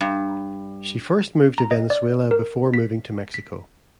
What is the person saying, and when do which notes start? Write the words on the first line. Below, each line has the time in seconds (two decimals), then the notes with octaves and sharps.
She first moved to Venezuela before moving to Mexico.
0.01 G2
1.58 A#5
1.71 D#5
1.90 D5
2.31 A#4
2.74 B6
3.34 B6